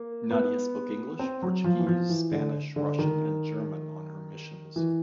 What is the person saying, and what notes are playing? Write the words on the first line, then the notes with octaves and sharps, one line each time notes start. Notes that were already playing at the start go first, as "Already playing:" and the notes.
Nadia spoke English, Portuguese, Spanish, Russian, and German on her missions.
Already playing: A#3
B3
C4
F#3
F3
E3
F3
E3
D3
D3
D#3
E3